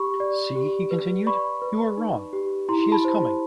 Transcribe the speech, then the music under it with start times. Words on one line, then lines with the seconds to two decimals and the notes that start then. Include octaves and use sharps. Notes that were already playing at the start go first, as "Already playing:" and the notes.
"See," he continued, "you are wrong: she is coming."
Already playing: G4 B5 C#6
0.20 D5
0.55 G4
0.91 B4
1.26 D5 B5 C#6
1.62 B4
1.97 D#4
2.33 G4
2.69 E4 A#5 C6
2.92 A5 B5
3.05 C5